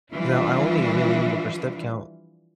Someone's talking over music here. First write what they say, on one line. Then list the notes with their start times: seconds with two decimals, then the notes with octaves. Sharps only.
'cause I o I only really need it for step count.
0.13 E3 F3 G3 D4 E4 F4